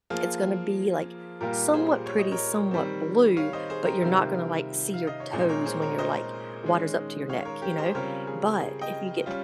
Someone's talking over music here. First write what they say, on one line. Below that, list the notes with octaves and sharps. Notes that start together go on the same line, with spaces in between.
it's gonna be, like, somewhat pretty, somewhat blue, but you're not gonna like see your toes when you're like water's up to your neck, you know, but if you get
F3 A#3 F4 G#4
A#2 G3 A#3 F4 G4 A#4
G#4 C5
C#5
D#5
A#4 C#5
D#3 G3 C4
C#5 F5
C5 D#5
G#4 C5
G4 A#4
C3 D#3 G3 C4 F4
F5
D#5
C#5
A#2 G#3 C4 D#4 G#4 C5
A#4 C#5
G#4 C5
A#4 C#5
C5 D#5
D#3 G#3 C#4
C#5 F5
A#4 C#5
G4 A#4
G#4 C5
C#3 G3 C4 F4 A#4 C#5
G#4
G#4
D#5 G5
G3 C#4 F4